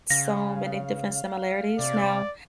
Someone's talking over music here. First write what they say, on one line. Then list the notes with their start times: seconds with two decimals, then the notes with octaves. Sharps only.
so many different similarities now.
0.10 C#3 F5 A#6
1.79 C3 D5